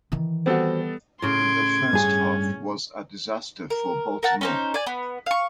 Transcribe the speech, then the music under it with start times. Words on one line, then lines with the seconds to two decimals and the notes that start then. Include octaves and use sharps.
The first half was a disaster for Baltimore.
0.12 D#3 E3
0.46 G3 B3 C4 F#4 A4
1.22 A2 C#3 C6 G#6 D7
1.93 G2 C#4 G#4
3.70 A#4
4.23 A#4 F#5 A5
4.41 C#4 D#4 C5
4.74 D5 G#5
4.87 B3
5.26 F5 C#6